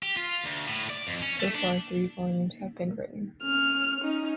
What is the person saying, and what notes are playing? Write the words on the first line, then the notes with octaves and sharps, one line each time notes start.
So far three volumes have been written.
G4
F4
D2
A2
D5
F2
C#4
A3
D4
C#4 F6
C#4 D#4